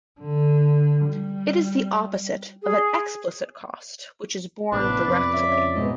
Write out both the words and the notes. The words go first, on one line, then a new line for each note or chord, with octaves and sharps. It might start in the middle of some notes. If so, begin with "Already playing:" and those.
It is the opposite of an explicit cost, which is borne directly.
D3
G3
G#4
A1 C3 B3 D4 B4
F2 D5
C#3 E5
G#2 B2 D#5